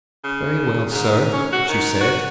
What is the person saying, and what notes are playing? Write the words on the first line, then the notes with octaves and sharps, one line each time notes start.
"Very well, sir!" she said.
C#3
G#2
C#4
F#4
D#3
F#4